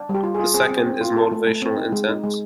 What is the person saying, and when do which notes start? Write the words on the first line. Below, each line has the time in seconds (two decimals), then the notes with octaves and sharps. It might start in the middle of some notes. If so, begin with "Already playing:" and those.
The second is "motivational" intent.
Already playing: D4
0.09 G3
0.14 G4
0.23 F4
0.35 F4 G#4
0.54 C4 G#4
0.71 C4
0.86 C4
1.01 F4
1.16 F4 A4
1.32 A3
1.47 A3
1.62 C4
1.77 D#4
1.92 G#3
2.09 D#4
2.24 G#3